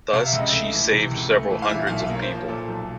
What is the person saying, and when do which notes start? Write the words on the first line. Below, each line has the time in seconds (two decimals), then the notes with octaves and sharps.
Thus she saved several hundreds of people.
0.13 C3 F5
0.26 E5
0.33 C#2
0.39 D#5
0.52 A3 E5
0.72 E3
0.92 C3
1.11 C#2
1.31 A3
1.50 E3
1.62 F5
1.70 A#2 E5
1.87 B1 F5
1.96 E5
2.09 A#3
2.15 C#5
2.22 C5
2.29 F3
2.48 A#2 A4
2.68 B1